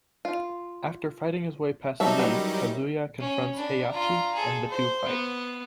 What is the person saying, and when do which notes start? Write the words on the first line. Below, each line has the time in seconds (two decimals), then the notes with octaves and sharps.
After fighting his way past Lee, Kazuya confronts Heihachi and the two fight.
0.25 F4
2.00 F#3 G3 D#4 C#5 E5 A5
2.19 D#3 E3 C#4
3.20 C#4
3.54 D4 B5
3.90 F4 A#5
4.35 G#4 A4
4.70 C5
5.05 B3